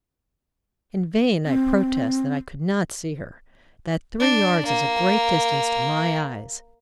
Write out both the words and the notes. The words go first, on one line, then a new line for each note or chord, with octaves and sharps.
In vain I protest that I could not see her,--that three yards is a great distance to my eyes.
C4
D4
A#3